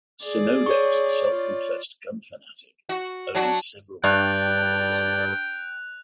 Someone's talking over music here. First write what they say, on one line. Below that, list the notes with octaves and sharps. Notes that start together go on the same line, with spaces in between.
Sonoda is a self-confessed gun fanatic, owning several replica guns.
G#4 D5
C#5 C#6
F4 D5
F#4
F#3 D4 F#4
G2 D5 G5 F#6 F7